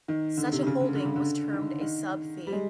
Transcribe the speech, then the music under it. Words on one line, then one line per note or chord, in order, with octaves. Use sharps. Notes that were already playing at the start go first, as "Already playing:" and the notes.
Such a holding was termed a sub-fee.
D#3
D3
C3
C#3
D3
D3
C#3
D3
D#3
D#3
G3
G#3